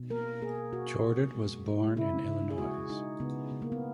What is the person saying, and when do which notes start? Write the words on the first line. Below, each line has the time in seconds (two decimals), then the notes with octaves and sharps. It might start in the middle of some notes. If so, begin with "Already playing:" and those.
Jordan was born in Illinois.
Already playing: B2
0.10 A#3 A#4
0.42 A#3 G#4
0.73 B2 F#4
1.04 B2
1.35 G#3
1.66 G#3
1.96 C#3 E4
2.28 C#3
2.50 G#4
2.58 G#3 F#4
2.89 G#3 D#4
3.20 C#3 B3
3.51 C#3
3.62 A#3
3.72 B3